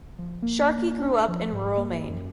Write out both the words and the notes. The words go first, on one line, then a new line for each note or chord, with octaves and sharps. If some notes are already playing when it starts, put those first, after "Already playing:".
Sharkey grew up in rural Maine.
F3
A#3
A#3
D4
F3
G#2
A#3
F#2